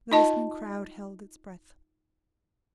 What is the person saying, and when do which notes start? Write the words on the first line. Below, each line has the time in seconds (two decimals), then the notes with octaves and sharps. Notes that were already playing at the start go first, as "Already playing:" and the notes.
The listening crowd held its breath.
0.12 D#4 F4 D#5 A5